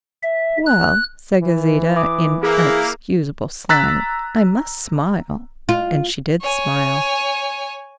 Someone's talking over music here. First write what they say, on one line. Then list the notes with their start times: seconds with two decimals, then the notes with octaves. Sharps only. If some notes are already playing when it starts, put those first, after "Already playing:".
"Well," said Gauzita, in unexcusable slang, "I must smile." And she did smile.
0.23 E5
0.66 F#6
1.42 E3
1.96 D6 D#6
2.43 A#3 E4 G#4 F#6
3.69 A#5 E6 F#6 A6 B6
5.69 F4
6.41 C#5 G#5